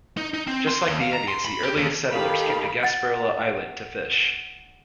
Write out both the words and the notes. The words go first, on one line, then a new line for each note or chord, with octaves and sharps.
Just like the Indians, the earliest settlers came to Gasparilla Island to fish.
D#4
D#4
C4
C6
D#2
F5
A#5
C6
B5
G4
D#2
D#3 G4 A4 F5 B5
F#5 A6